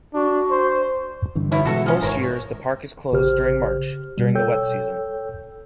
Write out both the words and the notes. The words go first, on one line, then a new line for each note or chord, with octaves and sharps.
Most years the park is closed during March, during the wet season.
D4 F#4
C5
G2 D3 E3
B2 E4 C#5
B2 E3 G#3 F#4 A4 E5
F3 C#4
G#1 G#2 A#4 C5 C#5
A1 C#3 G4 C5 F6
B2 G3
A4 C#5 G5 E6 G6